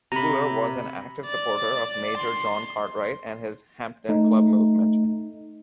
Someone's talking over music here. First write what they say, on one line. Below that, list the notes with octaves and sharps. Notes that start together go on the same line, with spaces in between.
Wooler was an active supporter of Major John Cartwright and his Hampden Club movement.
C3 A#5 B5
D5
C6
A3 D#4